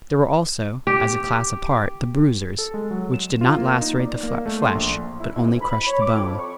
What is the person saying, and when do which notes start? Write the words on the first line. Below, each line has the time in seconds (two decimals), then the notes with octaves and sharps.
There were also, as a class apart, the bruisers, which did not lacerate the flesh, but only crushed the bone.
0.87 G4
2.58 A4
2.74 G#3
2.91 F#3
3.14 E7
3.41 F4
3.58 A#3
3.81 D#4
4.00 D5
4.23 A#3
4.46 A3
4.62 C6
4.75 A#1
5.19 E4
5.34 G#3
5.47 D2
5.61 B5
5.87 C#5
6.00 D6
6.15 F2
6.39 C#6